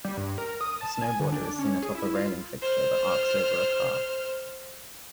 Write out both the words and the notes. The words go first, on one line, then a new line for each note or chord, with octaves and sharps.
A snowboarder is seen atop a railing fixture that arcs over a car.
G3
G2
A#4
D#6
A5
G#5
D3
D4
C#4
G#4
E4
F4
C5 F6